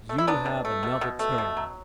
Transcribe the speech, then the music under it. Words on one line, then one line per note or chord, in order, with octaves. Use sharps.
"You have another turn."
A3
E4
F#3 B3 D4
B2
A3
B2
B2
A3
B2
F#3